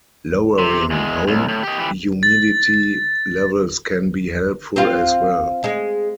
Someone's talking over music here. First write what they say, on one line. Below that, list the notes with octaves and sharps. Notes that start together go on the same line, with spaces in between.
Lowering home humidity levels can be helpful as well.
C3
E2 G#3
C2
A2
G4 D#5
E3 G4
A6
C4 F4
G#3